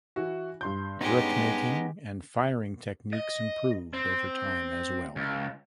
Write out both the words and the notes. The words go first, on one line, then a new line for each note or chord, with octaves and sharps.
Brick making and firing techniques improved over time as well.
E3 E4 F#4
G2 C6 G6
G#3 B3 C#4 D#4 G4
D#5
C4
C#2